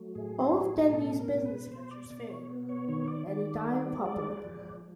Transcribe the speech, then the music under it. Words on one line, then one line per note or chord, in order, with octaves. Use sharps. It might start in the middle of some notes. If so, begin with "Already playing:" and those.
All of Dendy's business ventures failed, and he died a pauper.
Already playing: F#3 A3
A2 G#4
A2
G#4
B2 A4
A#4
B2
B4
B2 C5
D5
B2 D5
C#5
B3
C#5
D#3 C#5
D5
D#3 D5
G3
G#3 D5
F3